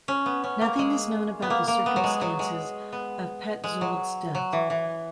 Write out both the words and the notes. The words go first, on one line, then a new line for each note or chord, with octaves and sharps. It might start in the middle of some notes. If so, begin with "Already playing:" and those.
Nothing is known about the circumstances of Petzold's death.
C#4
B3
C#4
A#3
G#3
B3
A#3
A#3
B3
F#3
G#3
F#3
G#3
B3
G#3
F#3
F#3
E3
E3